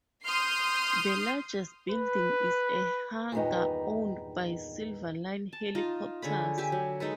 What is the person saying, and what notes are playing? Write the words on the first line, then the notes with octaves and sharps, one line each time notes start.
The largest building is a hangar owned by Silverline Helicopters.
C6 D#6 F6 G6 C7
B4
E2 G2 A#2 D#3 B3 D#4
A5
D#4 F4 D#5
D3 G#4 C#5 B5
G4 E5 G#5
F#3
G#3 D#4 A4 B4